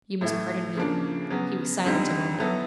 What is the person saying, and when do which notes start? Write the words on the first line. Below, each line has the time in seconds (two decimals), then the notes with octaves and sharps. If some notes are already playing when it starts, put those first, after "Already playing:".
You must pardon me.' He was silent a moment.
0.21 A2 E3 A3
0.75 C#3 F3 A#3 D4
1.30 C#3 F#3 B3
1.85 F2 D3 G3 C4 D#4
2.39 F#3 B3 E4 A4